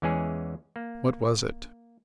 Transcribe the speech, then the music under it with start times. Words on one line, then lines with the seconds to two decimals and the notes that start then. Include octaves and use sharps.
What was it?
0.02 E2 E3 G#3 C#4 G#4
0.76 A#3